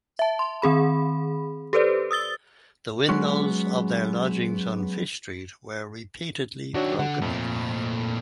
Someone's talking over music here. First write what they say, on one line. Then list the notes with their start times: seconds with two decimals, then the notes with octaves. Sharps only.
The windows of their lodgings on Fish Street were repeatedly broken.
0.19 E5 A5
0.39 C6
0.62 D#3 C4 G#4 B5
1.73 G4 A4 B4 C5 D5
2.11 D#6 E6 A6 G7
3.09 F#3 G#3 B3 C#4 F#4
6.74 D#3 D4 F#4 C#5 E5
6.99 D3 F#5
7.22 F2 A#2 A3